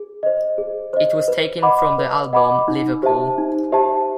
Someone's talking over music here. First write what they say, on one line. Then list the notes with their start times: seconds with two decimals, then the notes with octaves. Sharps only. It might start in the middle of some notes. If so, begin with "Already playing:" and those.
It was taken from the album "Liverpool".
Already playing: G#4
0.23 C5 D#5
0.58 G#4
0.93 C5 D#5
1.28 B4
1.63 D#5 F#5 B5 D6
1.98 B4
2.33 D#5 F#5 B5 D6
2.68 D#4
3.03 G4 C5 E5 A5
3.38 D#4
3.72 G4 C5 E5 A5